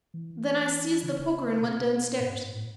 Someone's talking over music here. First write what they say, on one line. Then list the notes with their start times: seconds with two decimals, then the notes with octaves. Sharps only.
Then I seized the poker and went downstairs.
0.14 E3
1.02 C#3
1.61 B2
2.20 G#2
2.35 G#2
2.50 A2